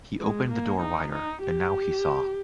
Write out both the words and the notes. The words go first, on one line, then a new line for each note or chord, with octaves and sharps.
He opened the door wider, and now he saw.
G#3
A#3
D#4
D#4
G4